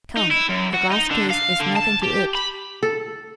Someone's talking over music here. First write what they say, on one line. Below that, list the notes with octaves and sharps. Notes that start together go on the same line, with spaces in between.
Come, a glass case is nothing to it.
D#4
E4
F#2
F#4
D#4
D3
F5
D3
A5
G4
B5
A4